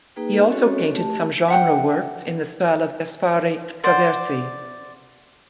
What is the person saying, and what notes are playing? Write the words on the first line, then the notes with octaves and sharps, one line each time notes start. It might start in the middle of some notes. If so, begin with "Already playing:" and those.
He also painted some genre works in the style of Gaspare Traversi.
A#3 D#4 G#4 B4 G5
C4 C#4 F#4 A4 C#5
A3 G4 A5
E5 F#5 G5
C5 D5 F#5